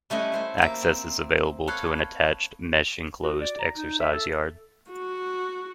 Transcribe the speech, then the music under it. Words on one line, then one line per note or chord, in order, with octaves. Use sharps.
Access is available to an attached, mesh-enclosed, exercise yard.
G3 A3 C#4 E4 D#5 F#5
A3 C5 E5
A#3 E5
C4
A4 B4 C#5 F5 F#5
F#4
D5
A#5
D#4
E5
A4
F#4